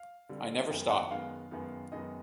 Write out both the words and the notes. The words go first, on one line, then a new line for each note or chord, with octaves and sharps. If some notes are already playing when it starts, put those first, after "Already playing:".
I never stop.
Already playing: F5
D3 G3 C4
F#2 D#3 G#3 B3 G5
F#5
F#2 D#3 G#3 B3 F5
F#2 D#3 G#3 B3
F#2 D#3 G#3 B3 D#5